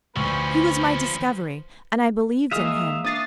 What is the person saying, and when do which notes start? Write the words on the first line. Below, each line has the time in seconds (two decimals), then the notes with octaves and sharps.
He was my discovery and I believed in him.
0.16 D2 F3 C#4 B4 C5 C#6
2.51 G#3 A#3 E5 F5 D#6
3.04 D4 E5 C#6 D#6 A6 C7